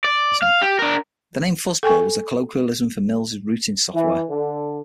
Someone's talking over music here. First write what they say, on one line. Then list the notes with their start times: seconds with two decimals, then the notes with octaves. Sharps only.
The name "Fuzzball" was the colloquialism for Mills' routing software.
0.04 D5
0.42 F5
0.62 G4
0.79 D4 A#4
1.83 A4 G5 G#5 C#6
3.93 E3
4.29 D3